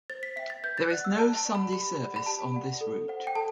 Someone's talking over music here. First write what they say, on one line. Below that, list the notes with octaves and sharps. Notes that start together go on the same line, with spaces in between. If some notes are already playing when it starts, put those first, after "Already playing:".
There is no Sunday service on this route.
C5 A6
B6
E5 G5 B6
A6
B4 G6
A6
D5 F#5 F#6
E6
B4 A5
A5
D5 F#5
B5
G4 B5
D5 F#5
B5
G4 A5
D5 F#5
A4
C5 F#5
G5
A4 A5